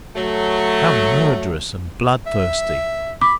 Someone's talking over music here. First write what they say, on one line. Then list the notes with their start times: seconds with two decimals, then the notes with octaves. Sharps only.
"How murderous and bloodthirsty!"
0.16 F#3 A3
2.26 E5
3.21 B5 D6